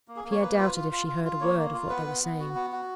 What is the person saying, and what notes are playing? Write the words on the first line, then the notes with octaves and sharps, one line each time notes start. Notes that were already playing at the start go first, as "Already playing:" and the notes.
Pierre doubted if she heard a word of what they were saying.
A#3
G#4
A#3
C#5
A#3 B4
F4
F4
F4
F4
F4
A#3 C#5
A#3
F4
B3 B4
B3
B3
F#4
B3
F#4